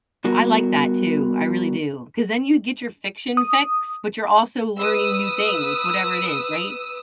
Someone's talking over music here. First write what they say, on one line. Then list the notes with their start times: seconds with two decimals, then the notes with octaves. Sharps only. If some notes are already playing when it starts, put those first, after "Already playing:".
I like that too, I really do, 'cause then you get your fiction fix, but you're also learning new things, whatever it is, right?
0.24 G3 B3 F#4 A#4
3.37 D#6
4.77 B4 D#6 E6